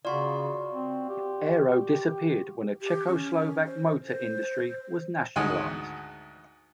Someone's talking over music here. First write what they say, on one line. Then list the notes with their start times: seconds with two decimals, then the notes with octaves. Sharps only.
Aero disappeared when the Czechoslovak motor industry was nationalised.
0.05 C#3 F4 F#4 D5 B5 C6
0.73 C4
1.09 G4
2.81 G4
3.08 C#4
3.65 C5
4.07 C5
5.36 D2 G#2 D#3 D#5 G#5